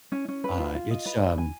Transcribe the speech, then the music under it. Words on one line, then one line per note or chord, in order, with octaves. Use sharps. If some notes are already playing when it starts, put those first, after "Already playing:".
uh, it's um,
C#4
C#4
B4
F4
F4
D#5
B4
B4
G#5